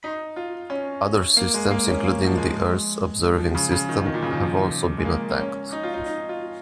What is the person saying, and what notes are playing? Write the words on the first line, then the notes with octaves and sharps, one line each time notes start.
Other systems including the Earth Observing System have also been attacked.
D#4
F4
C#4
A#3
G#3
A#3
C#4
A#3
F3
G#3
F3
C#3
C#3
D#3
D#3
A#2
C#3
D#3
F3
G#3
A#3
A#3
C#4
D#4
F4
D#4
D#4
F4